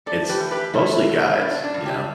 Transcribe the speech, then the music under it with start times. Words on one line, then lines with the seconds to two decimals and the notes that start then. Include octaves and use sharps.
it's mostly guys, you know,
0.06 A3 A4 D5
0.29 G4 B4
0.40 E3
0.51 G4 B4
0.74 B2 E4 A4
1.08 B2
1.34 E4
1.41 G2 D4
1.64 D4
1.74 G2
1.85 D4 G4